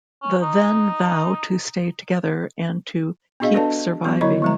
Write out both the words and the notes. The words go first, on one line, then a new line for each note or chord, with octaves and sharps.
The then vow to stay together and to "keep surviving".
C#4
D#4
B3 D4 F#4 G#4 D#5 F5
D4 A4 B4 D5 F5 A5
F#3 B3 F#4
D3 F#3 E4 C#5 D#5 C#6
F3 G#3 A#5